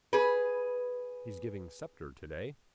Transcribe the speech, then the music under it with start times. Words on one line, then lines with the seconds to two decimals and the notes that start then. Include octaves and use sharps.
He's giving Sceptre today.
0.13 G#4 B4